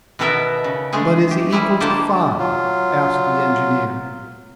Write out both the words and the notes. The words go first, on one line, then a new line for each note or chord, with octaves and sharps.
"But is he equal to five?" asked the engineer.
B2 D#3 B3 A4 A#4 E5
C#3
D3 G#3 A3 G#4
G4
G3 G#3 E4
D3 A#3 G4 C5 A5
F#3 F4